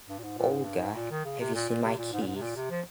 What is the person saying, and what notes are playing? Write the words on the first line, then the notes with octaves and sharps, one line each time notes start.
Olga, have you seen my keys?
G2
A#2
G#2
A#2
G#2
G2
G#2
A#2
D#3
C#3
C3
A#2
A#2
C3
A#2
G#2
A#2
G#2
C3
A#2
C3
F3